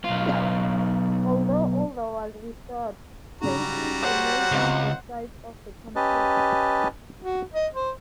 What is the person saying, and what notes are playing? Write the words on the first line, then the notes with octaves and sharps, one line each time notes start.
Although order was restored, tensions remained on both sides of the conflict.
B1 F4
G#2 C#3 F#3 G3 F#4 A#5
G#4 C5 C#5 F#5
C#2 G#3 C4 F5
C#4 G4 B4 D#5 A5
F#4
D#5
C5